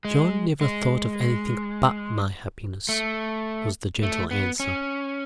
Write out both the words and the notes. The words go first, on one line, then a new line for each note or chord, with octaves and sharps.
"John never thought of anything but my happiness," was the gentle answer.
G#3
G#3
A3
A3
B3
C#4